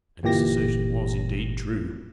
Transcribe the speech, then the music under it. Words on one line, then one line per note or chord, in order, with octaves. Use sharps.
And this assertion was indeed true.
G1 A#2 E3 G4 A#6